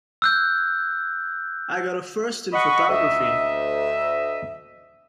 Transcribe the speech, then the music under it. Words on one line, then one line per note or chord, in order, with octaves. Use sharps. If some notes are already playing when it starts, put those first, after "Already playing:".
I got a first in photography!
E6 F#6 G6
D#5 F#5 B5 C#6
D2 D#5 E5